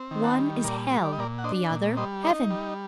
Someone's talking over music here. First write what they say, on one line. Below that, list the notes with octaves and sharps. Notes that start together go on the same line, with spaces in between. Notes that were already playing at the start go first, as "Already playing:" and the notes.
One is Hell--the other Heaven.
Already playing: C4
D#3
F#5 A5
G3
A#2 A#4 D5
G3
D5
D#5
A#2 A#4 D5
F#5
D4 C5 D#5
A#2
G3 C5 D#5
D#4 A#4 D5
G3